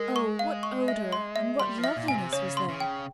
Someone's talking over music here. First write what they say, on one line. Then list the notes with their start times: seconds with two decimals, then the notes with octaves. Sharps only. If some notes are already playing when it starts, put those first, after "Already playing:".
Oh, what odour and what loveliness was there!
Already playing: G#3 A#4
0.16 C#6
0.39 F5
0.63 C#6
0.88 E5
1.12 C6
1.36 E5
1.60 G3 C6
1.78 F3
1.84 E5
1.96 A#2
2.08 A#2 G#5
2.15 C3
2.33 C#3 C#5
2.57 C6
2.69 C#3
2.80 G5